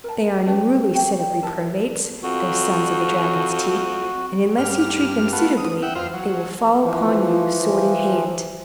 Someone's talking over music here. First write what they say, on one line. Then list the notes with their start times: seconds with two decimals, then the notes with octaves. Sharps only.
They are an unruly set of reprobates, those sons of the dragon's teeth; and unless you treat them suitably, they will fall upon you sword in hand.
0.04 A#4 A5
0.46 C#4 G4 B4 A5
0.93 F#4 G4 G5
1.42 E4 A#4 E5 A5
2.23 F2 F#4
4.58 G2 F6
5.33 A3 B3 F4 F#4
5.58 D#6
5.82 E5 F#5 G5
5.95 F2 F4 C5
6.13 F#3
6.83 E3 F3